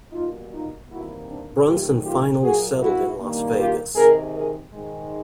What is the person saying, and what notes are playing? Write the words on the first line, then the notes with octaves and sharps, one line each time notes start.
Brunson finally settled in Las Vegas.
B2 G3 A#3 D#4 F4
D#4 F4
E2 C3 D#3 G3 A#3 E4 F#4
C4 D4
G#2 D#3 F#3 A3 F4 G4
F4 G4
A#2 F#3 A#3 F#4 G#4
E4 F#4
G2 D#3 G3 A#3
F4 G4
C3 D#3 G#3 G#4 A#4
G#4 A#4
G#2 D#3 G#3